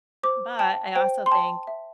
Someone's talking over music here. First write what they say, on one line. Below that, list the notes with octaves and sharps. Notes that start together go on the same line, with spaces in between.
but, I also think
C5 D6
G5 A5
C5 G5
C6
G5 A5
E5